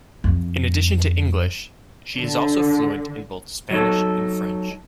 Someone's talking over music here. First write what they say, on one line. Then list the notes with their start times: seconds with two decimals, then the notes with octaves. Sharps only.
In addition to English, she is also fluent in both Spanish and French.
0.24 F2
2.16 D3
3.71 F#3 D#4 A4